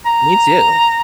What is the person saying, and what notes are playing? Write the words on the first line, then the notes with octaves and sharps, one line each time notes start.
Me too.
A#5